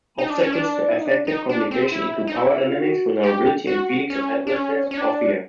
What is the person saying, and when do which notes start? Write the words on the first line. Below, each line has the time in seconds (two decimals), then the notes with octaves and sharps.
Obstacles to effective communication include power dynamics, vulnerability, and feelings of helplessness or fear.
0.18 D#4
0.30 D4
0.41 C#4
0.52 D4
0.88 E4
0.96 D#4
1.05 D4
1.27 D#4
1.49 D4
1.71 C4
1.92 E4
2.27 D#4
2.36 E4
2.67 F4
2.80 F#4
3.23 G4
3.67 F#4
4.10 C#4
4.47 D4
4.53 C#4
4.91 C#4
4.97 D4